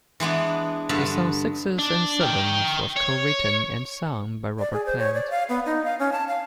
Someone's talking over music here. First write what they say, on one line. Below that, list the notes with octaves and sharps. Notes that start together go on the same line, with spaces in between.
The song "Sixes and Sevens" was cowritten and sung by Robert Plant.
E3 G#3 B3 D4
G2 D3 B3 B4
D4
A#4 G5
C#5
D5
G#4
C5
C#5
D5
F5
B3
D#4
F5
C#4
A5
F5